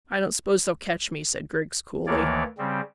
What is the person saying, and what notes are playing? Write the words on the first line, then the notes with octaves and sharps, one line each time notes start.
"I don't suppose they'll catch me," said Griggs coolly.
D2 D#3 E3 A#3 C#5 D5
C#3 G3 C4